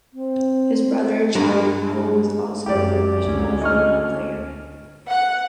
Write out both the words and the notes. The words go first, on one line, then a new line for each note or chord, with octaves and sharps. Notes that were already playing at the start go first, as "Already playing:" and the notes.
His brother, Charlie Powell was also a professional football player.
C4
G2 F4 A#4 F#5
F#2 G4 D5
D2 C#4
D#5 C#6 F6
F#5